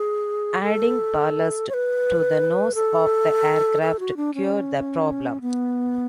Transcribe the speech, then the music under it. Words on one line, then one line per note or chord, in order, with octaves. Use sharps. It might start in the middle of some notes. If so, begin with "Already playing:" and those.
Adding ballast to the nose of the aircraft cured the problem.
Already playing: G#4
A4
C#5
B4
A4
A4
F#4
D4
C#4
B3